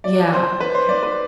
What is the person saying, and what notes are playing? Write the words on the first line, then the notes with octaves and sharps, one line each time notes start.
Yeah. Okay.
D5
C5
B4
C5
D5
B4